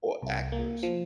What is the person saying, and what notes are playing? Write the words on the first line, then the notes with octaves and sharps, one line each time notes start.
or actors,
C2
A#3
F3